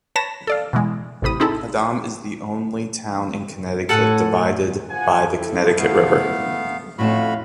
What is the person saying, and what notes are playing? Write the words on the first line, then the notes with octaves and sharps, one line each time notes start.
Haddam is the only town in Connecticut divided by the Connecticut River.
B4 C#5 A5 A#6 B6 E7
A4 D5 F5
B2 E3 G#3
A1 A2 C3 B5 D#6
C4 D#4 E4 G#4 A4
A2 A4 F#5 G#5
F3 F#5 G#5
F3 E4 A4
A3 B3 F5
F2 A2 A3 C#4 F#4 F5 A5 B5